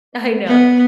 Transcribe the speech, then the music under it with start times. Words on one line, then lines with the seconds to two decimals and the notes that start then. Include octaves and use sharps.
I know.
0.47 B3